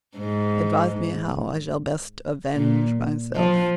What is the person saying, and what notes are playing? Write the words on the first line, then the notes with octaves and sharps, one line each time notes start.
Advise me how I shall best avenge myself.
G#2
A#2
F3